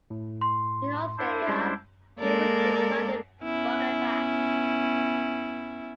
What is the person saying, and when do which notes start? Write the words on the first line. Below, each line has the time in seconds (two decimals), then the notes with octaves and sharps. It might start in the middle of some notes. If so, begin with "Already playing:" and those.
In Australia, the game was re-branded "Bug Attack".
0.10 A2
0.41 C6
1.18 D4 E4 C5
1.47 G3 G#3 C#4
2.19 G#3 A#3 A4 A#4 D5
3.44 B3 C#4 E4